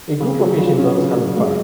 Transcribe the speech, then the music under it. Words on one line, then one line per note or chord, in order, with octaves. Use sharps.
A group of Asian girls having fun.
C#3
F#3
F4
C#4
C#3
F#3
G#3